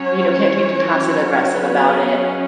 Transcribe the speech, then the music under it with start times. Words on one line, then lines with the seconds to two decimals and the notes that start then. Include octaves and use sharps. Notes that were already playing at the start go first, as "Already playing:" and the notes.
you know, can't do it be passive aggressive about it
Already playing: F#3 C#4 C#5
0.40 E3 C#4
0.97 F#3 C#4
1.54 F#3 B3 B4
2.12 F#3 C#4